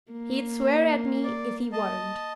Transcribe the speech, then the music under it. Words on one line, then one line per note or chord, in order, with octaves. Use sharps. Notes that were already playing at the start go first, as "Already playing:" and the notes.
'He'd swear at me if he weren't.
A#3
D5
D#5 A5